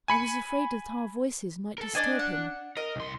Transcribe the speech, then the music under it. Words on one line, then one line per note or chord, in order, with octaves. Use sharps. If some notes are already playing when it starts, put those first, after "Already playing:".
I was afraid that our voices might disturb him.
G#5 B5 C#7
A4 A#4
D4 D5 D#5 G#5
F#5
A#4 D#5
C2 C6